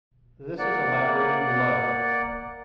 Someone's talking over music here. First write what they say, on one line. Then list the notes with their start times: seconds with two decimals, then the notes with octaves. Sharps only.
This is elaborated below.
0.58 A#3 D5 F#5